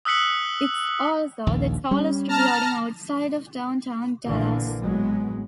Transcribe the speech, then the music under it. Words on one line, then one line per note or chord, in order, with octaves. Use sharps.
It's also the tallest building outside of Downtown Dallas.
D#6 E6 F#6 B6 C#7 F#7
A#1 D#2
G3 C#4
A5 A#5 F6
A#1 D3 E3 A#3
A1 F#3 G#3 B3